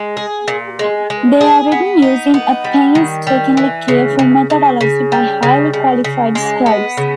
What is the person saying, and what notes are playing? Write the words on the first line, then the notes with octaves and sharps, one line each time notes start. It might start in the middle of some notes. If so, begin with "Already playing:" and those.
They are written using a painstakingly careful methodology by highly qualified scribes.
Already playing: G#3
G#4
A#2
G#3
G#3
G#4
B3
D#4
B3
G3
D#3
G3
E3
C#3
C#3
C#3
C#3
G3
C#3
C#3
C#3
G#3
B3
C#3